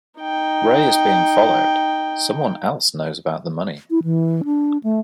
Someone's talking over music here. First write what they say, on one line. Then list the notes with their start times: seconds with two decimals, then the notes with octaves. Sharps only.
Ray is being followed; someone else knows about the money.
0.20 D#4 G5
3.90 E4
4.04 E3
4.45 D4
4.83 A3